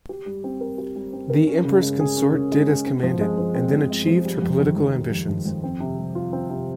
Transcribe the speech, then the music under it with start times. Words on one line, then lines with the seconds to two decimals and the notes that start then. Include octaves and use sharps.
The Empress Consort did as commanded, and then achieved her political ambitions.
0.09 G4
0.26 G3
0.44 C4
0.61 A#4
0.78 G4
0.96 G3
1.13 C4
1.30 A#4
1.47 C#4
1.65 C#3
1.82 G#3
2.00 G#4
2.17 C#4
2.34 C#3
2.52 G#3
2.69 G#4
2.86 C4
3.03 F3
3.21 G#3
3.38 F3
3.55 C4
3.73 F3
3.90 G#3
4.07 F3
4.25 G3
4.42 F2
4.59 D#3
4.76 F2
4.94 G3
5.11 F2
5.29 D#3
5.46 F2
5.64 C4
5.80 C3
5.98 G3
6.15 F4
6.33 C4
6.50 C3